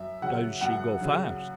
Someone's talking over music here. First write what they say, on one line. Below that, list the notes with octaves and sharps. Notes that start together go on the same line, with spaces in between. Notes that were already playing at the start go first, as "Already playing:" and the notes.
"Does she go fast?"
Already playing: F#2 E5
C#3 F#3 F#5
F#2 F#5
C#3 F#3